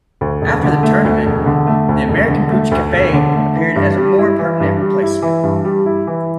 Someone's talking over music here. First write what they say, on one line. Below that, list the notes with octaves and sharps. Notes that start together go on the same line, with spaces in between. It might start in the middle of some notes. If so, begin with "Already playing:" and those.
After the tournament, the American "Pooch Cafe" appeared as a more permanent replacement.
D2
E1
D3
A3
D2
E1
D3
A3
D2
E1
D3
A3
D2
E1
D3
A3
E3
G2
G3
E4
E3
G2
G3
E4
E3
G2
G3
E4
E3